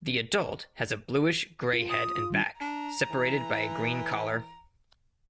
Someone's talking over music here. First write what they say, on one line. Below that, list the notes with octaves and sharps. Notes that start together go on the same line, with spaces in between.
The adult has a bluish-grey head and back, separated by a green collar.
F4
D#6
F4
D#3 G3 D4
D4 A#5
E3